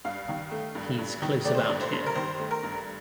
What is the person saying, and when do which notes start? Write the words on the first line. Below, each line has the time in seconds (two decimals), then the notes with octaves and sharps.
He's close about here.
0.05 G2 F5
0.28 D#3
0.51 A3
0.75 G2
0.98 G2
1.22 D#3
1.45 A3 D5
1.55 C5
1.64 G2 D5
1.81 C5
1.92 G2
2.06 A#4
2.15 D#3 C5
2.39 A3
2.51 A#4
2.63 G2